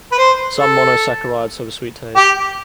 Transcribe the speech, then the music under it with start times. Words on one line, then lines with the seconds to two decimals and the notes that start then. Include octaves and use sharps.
Some monosaccharides have a sweet taste.
0.12 B4
0.18 C5
0.57 A4
2.16 G4